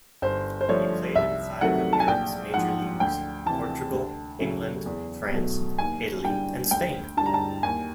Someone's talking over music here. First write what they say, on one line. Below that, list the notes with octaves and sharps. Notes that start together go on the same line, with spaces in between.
He played in five of Europe's major leagues: Portugal, England, France, Italy and Spain.
G1 C5
C5
G2 D3 F3 A3 C#5
C2 E5
C3 D#3 F#3 A3 F#5
A5
G#5
A#1 G5
G#2 F3 F#5
D2 G5
C3 E3 A5
D2
C#3 F#3 A3
E2
B2 F#3 A3
D#2 G#5
D3 G3 G5
D2 G5
D3 G3 A5
A#5
A5
D#2 G#5